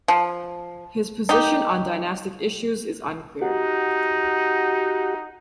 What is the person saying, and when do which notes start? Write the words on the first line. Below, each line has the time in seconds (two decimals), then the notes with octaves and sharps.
His position on dynastic issues is unclear.
0.08 F3
1.29 D#4 G4
3.42 D#4 F#4 G4 F#5